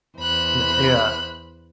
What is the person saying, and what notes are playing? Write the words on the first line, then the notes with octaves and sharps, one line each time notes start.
Y yeah,
E2 C5 B5 F#6